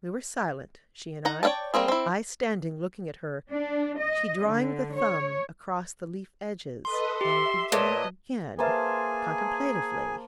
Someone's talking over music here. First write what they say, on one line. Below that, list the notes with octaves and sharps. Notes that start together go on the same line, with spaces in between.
We were silent, she and I; I standing, looking at her, she drawing the thumb across the leaf-edges, and beginning again, contemplatively.
D#4 F#5 A#5
C#5 D5 F5 G5 A5
G3 A#3 C4 G#4
C4 E4
D4
D#5
D3
C#5
A4 B4 D#5 C6
G4 E5 C6
A#2 B4 C#5 D#5 A5
A#3 G#4 B4 C5 E5 G#5 A5 F6